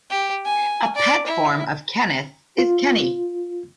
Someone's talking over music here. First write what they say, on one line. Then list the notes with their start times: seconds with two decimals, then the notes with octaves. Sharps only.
A pet form of Kenneth is "Kenny".
0.10 G4
0.45 G#5
0.96 D5
1.26 E4
2.58 F4